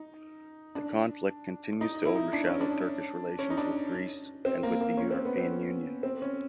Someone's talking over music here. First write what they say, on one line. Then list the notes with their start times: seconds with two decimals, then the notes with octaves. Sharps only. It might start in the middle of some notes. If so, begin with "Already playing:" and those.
The conflict continues to overshadow Turkish relations with Greece and with the European Union.
Already playing: D#4
0.75 D4
1.81 D#4
2.05 E4
2.15 D#4
2.33 D4
2.47 C#4
2.61 D4
3.39 C#4
3.50 D#4
3.57 D4
4.45 C4
4.63 A#3
4.81 A#3
4.97 C#4
5.11 C4
5.25 B3
5.37 C4
6.03 C4
6.22 C#4